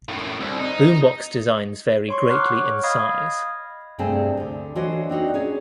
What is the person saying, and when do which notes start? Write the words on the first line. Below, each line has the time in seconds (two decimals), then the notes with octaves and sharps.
Boombox designs vary greatly in size.
0.09 F#2 A2
0.40 C2
0.59 D#4
2.08 C#5 C6 C#6
2.30 F#5 A#5 C#6 D6 F6 F#6
2.56 C#5
2.83 D#5 F5 B5 D#6 F6 G#6
3.99 G2 C3 A3 C4 G#4 A5
4.37 D2 D3
4.76 E3 D4 F#4 C5 C#5 D#5
5.09 C4 D4 D#4 F#4
5.34 C#4 G#4 C#5